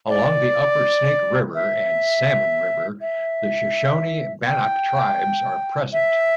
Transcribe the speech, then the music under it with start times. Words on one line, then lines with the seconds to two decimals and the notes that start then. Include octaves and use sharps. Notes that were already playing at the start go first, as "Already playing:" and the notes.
Along the upper Snake River and Salmon River, the Shoshone Bannock tribes are present.
0.09 D5
1.55 E5
3.01 E5
4.46 G5
5.93 E5